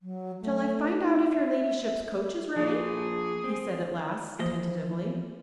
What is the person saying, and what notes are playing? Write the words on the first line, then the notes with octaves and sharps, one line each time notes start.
"Shall I find out if your ladyship's coach is ready," he said at last, tentatively.
F#3
A3
D#4
E5
F3 A#3 G#4
C4
E3 F3 A#3 D#5